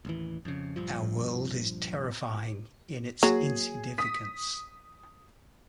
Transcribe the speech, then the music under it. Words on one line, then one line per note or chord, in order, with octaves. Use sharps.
Our world is terrifying in its insignificance.
A1 D#2 E3
F2 C#3
A#1 G2 F3
F#3 A#3 G#4
D#6 B6